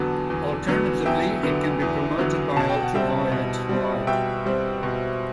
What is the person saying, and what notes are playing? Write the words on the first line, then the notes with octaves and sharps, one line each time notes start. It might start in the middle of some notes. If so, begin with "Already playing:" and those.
Alternatively, it can be promoted by ultraviolet light.
Already playing: E2 D3 F#3 B3 A5
E2
D3 F#3 B3
E2 E5 G5
D3 F#3 B3
E2
D3 F#3 B3
B2 A5
G5
F#5
G3 C4 E5 G5
B2
G3 C4
B2 E5 G5
G3 C4
B2